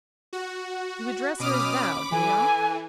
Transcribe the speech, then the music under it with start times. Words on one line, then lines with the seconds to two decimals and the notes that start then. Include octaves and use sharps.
"You address her as thou, do you not?"
0.33 F#4
1.40 B2 C#4 B5 D6 D#6 F6
2.12 E3 A4 G#5